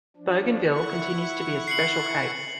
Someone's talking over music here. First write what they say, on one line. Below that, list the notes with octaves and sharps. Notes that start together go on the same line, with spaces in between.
Bougainville continues to be a special case.
F3 D4
E4 F#5 C#6
C7 C#7 F#7